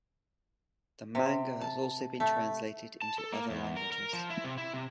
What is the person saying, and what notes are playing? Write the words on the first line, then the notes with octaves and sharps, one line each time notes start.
The manga has also been translated into other languages.
C3
A5
A3
A5
A4
A#3
E2
A#4
A#4
F3
E4
C3
E4
C3